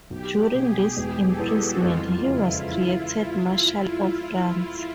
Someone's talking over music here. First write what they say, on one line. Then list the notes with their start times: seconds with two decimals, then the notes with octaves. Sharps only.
During this imprisonment he was created marshal of France.
0.10 B1 G4
0.53 B2 G#4
0.97 E1 G#4
1.25 A4
1.40 E2
1.54 F#4
1.82 F2 F4
2.26 C#3 E4
2.69 E3